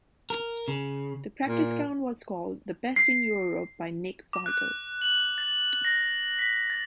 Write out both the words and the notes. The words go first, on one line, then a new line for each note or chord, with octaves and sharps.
The practice ground was called the best in Europe by Nick Faldo.
A#4
C#3
A#2
C7
D6
F#6
F#7
A6
A#6
B6
A6